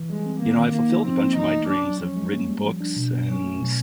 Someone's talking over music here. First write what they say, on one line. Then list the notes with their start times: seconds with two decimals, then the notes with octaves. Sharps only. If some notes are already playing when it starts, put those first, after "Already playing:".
you know, I fulfilled a bunch of my dreams. I've written books and
Already playing: E3
0.09 G3 G#3
0.26 C4
0.41 D#3 A#3
0.57 D#3
0.73 A#3 D#4
0.89 D#4
1.06 F3 C4
1.21 A#3
1.37 E3 D#4
1.53 A3
1.69 F#3 D4
1.85 F#3
2.01 F3 C#4
2.16 G#3
2.32 A#3
2.49 G3
2.65 F3
2.81 D4
2.96 B2
3.13 B3
3.28 F#3 C#4
3.44 A3
3.60 B2